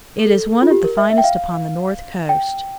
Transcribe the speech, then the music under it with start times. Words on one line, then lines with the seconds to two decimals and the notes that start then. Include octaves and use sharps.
It is one of the finest upon the north coast.
0.18 A4
0.62 F4
0.71 G4
0.84 A#4
0.97 E5
1.10 E5
1.18 G5
1.24 F5
2.29 G5